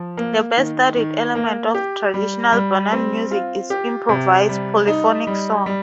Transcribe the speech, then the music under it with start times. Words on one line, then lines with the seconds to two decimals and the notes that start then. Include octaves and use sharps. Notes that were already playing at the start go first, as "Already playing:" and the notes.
The best-studied element of traditional Bunun music is improvised polyphonic song.
Already playing: F3
0.17 A#3
0.57 D#3
0.96 D#3
1.35 A#3
1.75 G4
2.14 G3
2.53 G3
2.92 C4
3.31 F4
3.70 G4
4.09 C3
4.49 G3
4.87 D#4
5.27 G3
5.66 G3